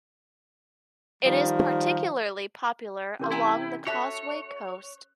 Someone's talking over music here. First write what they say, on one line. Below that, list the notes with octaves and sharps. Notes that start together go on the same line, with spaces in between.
It is particularly popular along the Causeway Coast.
D#3 F3 G3
C3 E3 C#4 A#4 C6 G6
E4 G5 G#5 A#5
F#4 A4 C#5 E5 A5 F#6